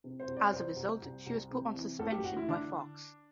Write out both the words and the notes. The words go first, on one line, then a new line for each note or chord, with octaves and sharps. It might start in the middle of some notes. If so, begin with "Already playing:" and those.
As a result, she was put on suspension by Fox.
C3
C5
C2
D5
C2 C5
C2
C2
C2
C3
E3
A1 A4
G4
A1 F#4
E4
D3 D4